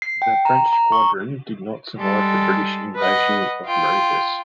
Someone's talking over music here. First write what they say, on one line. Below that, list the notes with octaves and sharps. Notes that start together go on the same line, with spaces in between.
The French squadron did not survive the British invasion of Mauritius.
C7
G5
A#5
A#5
C#6
G3 G#3 A4
B4 D#5 F#5
F4 G5